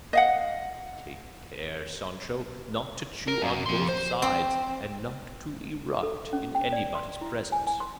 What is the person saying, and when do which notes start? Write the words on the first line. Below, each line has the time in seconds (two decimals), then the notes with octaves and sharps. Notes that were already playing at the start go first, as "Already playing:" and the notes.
"Take care, Sancho, not to chew on both sides, and not to eruct in anybody's presence."
0.13 D#5 F5 F#5
3.28 A#4
3.42 F#2
3.66 F2 C6
3.88 C5
4.22 C4
6.03 A4
6.33 C#4
6.55 G5
6.73 D5
6.95 C6
7.21 E4
7.52 G#5
7.67 G#5
7.80 C6